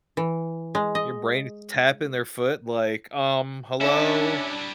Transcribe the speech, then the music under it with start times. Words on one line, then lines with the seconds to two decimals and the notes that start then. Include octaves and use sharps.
Your brain is tapping their foot like, "Um, hello?"
0.17 E3
0.75 G#3
0.95 D#5
3.81 G3 C#4 D4 E4 E5